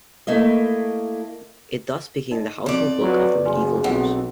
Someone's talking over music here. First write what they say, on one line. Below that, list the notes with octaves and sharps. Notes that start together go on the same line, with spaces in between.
It thus became the household book of the medieval Jews.
A3 A#3 E4 D#5
D#4 D#5
F2 F3 D5
F#3 F4 B4
F#1 G#4 B4 G#5 C6
B1 F2 F#5